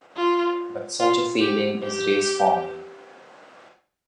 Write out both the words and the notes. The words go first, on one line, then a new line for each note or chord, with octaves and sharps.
But such a feeling is race-forming.
F4
F4
G4
G4